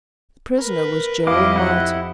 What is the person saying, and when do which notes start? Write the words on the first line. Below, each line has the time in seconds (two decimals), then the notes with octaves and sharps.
The prisoner was Joel Martin.
0.58 A#4 B4
1.27 F2 E4 G4 D#5 F5 D6
1.56 E4 F#5